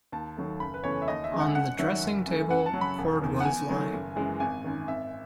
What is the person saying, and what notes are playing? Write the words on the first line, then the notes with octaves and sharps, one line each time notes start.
On the dressing-table a cord was lying.
D#2 A5
D#3 F#3 A3
F#1 B5
B4
E2 C#3 E3 A3 C#5
E5
D#2 D#5
E5
C#3 G#3
F#5
F#2 F#5
D#3 F#3 E5
F#1
F#2 E3 A3
F#2 F#5
A5
C#3 F#3
B5
E1
E2 D#3
F#5
E2 G#5
D#3 F#3 A3
F#1
F#2 E3 G#3
G#1 G#5
F#2 D#3
G#1 E5